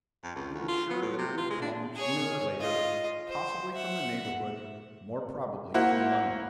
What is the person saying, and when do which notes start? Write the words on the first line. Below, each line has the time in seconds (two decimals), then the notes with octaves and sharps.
He was sure that it would come sooner or later, possibly from the neighbourhood, more probably from London.
0.24 F2
0.35 C#2
0.54 D2
0.68 F4
0.90 B3
1.02 A2
1.18 C3
1.37 F4
1.50 G#3
1.62 D4
1.96 G#4 C#5
2.59 F4 D#5
3.28 C5
3.74 E5 F#5
5.74 A#3 E4 F#4 C5 F#5